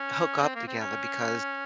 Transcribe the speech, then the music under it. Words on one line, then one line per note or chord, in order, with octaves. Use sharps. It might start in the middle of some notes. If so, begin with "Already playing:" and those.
hook up together because
Already playing: C#4
C4
A#3
C4
C#4